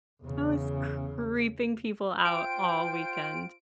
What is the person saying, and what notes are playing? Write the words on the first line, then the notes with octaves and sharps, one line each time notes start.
I was creeping people out all weekend.
E2 C#3
F4 C5 G5 D7